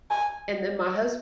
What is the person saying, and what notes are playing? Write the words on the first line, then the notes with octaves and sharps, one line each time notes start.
And then my hus
G#5